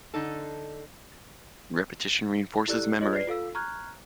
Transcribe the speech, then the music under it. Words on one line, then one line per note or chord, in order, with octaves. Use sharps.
Repetition reinforces memory.
D3 D#4 A4
E4 G4 A4 D5 E6 F#6
F4 G#4 C#5 D#5
B4 D5 C7
F4 A4 F5 E6
A#5 C#6 F6 F#6 G#6